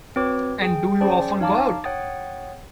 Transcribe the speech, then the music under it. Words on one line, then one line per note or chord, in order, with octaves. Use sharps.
And do you often go out?
C4 F#4 B4 C#5 D6
G#4 G5
C#4 G#4 C5 D5 G5 A5
D#4 C#5 F5 A5 A#5 D6
C#5 F#5 G5 D#6 A6